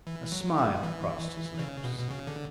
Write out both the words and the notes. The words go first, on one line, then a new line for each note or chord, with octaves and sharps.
A smile crossed his lips.
E3
F#3
G3
E3
C#3
B2
B2
C#3
D3